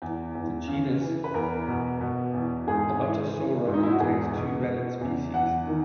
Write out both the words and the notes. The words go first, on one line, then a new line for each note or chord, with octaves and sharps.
The genus "Anotosaura" contains two valid species.
E2
E2
C#3
E3
B4
E2 A#4
B2
B2
E2
G#2 G#4
E3
E3
G#2
D#4
E4
F#4
E2 G#4
B2
B2
E2
E2 F#5
D#3